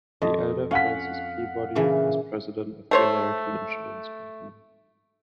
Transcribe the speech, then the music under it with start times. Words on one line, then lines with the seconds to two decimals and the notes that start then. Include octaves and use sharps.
The elder Francis Peabody was president of the American Insurance Company.
0.22 F2 D#5
0.71 C#4 F5 F#5 B6
1.75 A#2 C#3 E3
2.91 A3 C5 C#5